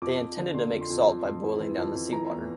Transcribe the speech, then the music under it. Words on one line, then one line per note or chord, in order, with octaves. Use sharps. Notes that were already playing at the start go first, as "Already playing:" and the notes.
They intended to make salt by boiling down the sea water.
F2 D6
F2
D3
D3 C6
F2
C6
F2
F2
F2
E3
E3
F2
F2
E3 A#5
E2